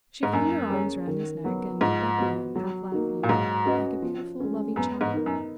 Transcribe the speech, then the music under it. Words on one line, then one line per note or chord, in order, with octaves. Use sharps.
She flung her arms round his neck and looked up at him, half laughing, like a beautiful, loving child.
G#2
F#2 A#3
C#4 G#4 C#5
D#3
F#3 B3 F#4
G#2 F3
B3 F#4
F#3
A#3 D#4 F#4
A#2
G#2 F#3
C#4 F#4 B4 D#5
F3
G#3 C#4
F#2 B3
G#2
D#4 A#4
F#2